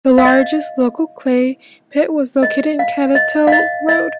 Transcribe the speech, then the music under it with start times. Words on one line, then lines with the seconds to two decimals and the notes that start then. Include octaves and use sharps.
The largest local clay pit was located on Cattell Road.
0.18 F5
0.25 D#5
2.43 D#5
2.79 F5
3.15 D#5
3.47 F5
3.52 D#5
3.89 D#5